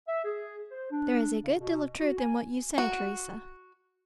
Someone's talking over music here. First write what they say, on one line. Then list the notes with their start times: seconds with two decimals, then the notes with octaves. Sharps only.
"There is a good deal of truth in what you say, Teresa."
0.07 E5
0.24 G#4
0.70 C5
0.91 D4
1.42 C#3
1.59 B2
1.99 F#4
2.19 G#5
2.78 F#4